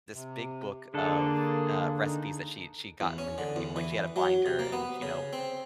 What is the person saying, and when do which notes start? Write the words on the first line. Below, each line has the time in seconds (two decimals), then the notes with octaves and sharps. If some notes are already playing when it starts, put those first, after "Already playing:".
this big book of, uh, recipes that she she'd gotten from different people. Like, she had a binder and, you know,
0.11 C3
0.94 D3 A#3 D4 G#4 A4
2.05 D#4
3.00 E2
3.18 C#4
3.38 D3
3.56 E2
3.76 E3
4.16 F#3
4.46 C3
4.59 A#3
4.73 B3
5.02 C#3
5.33 C4